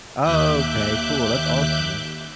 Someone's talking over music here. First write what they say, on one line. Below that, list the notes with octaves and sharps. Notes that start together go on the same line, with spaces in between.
Oh, okay, cool. That's awesome.
D#2 E5 D6 F#6 G6